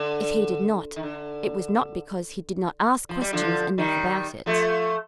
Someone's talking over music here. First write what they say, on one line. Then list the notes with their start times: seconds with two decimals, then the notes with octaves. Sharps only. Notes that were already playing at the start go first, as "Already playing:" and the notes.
If he did not, it was not because he did not ask questions enough about it.
Already playing: D3
0.96 D#3
1.03 D3
3.09 F3
3.21 G3
3.33 D3 F3
3.78 D#3 G3
4.46 F3 A3